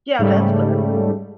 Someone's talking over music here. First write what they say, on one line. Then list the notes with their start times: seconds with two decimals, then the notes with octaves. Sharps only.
Yeah, that's good.
0.19 G#2 C#3 G3 A3